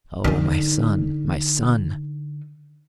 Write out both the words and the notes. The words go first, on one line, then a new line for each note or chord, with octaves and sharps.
Oh, my son, my son!
D3 D#4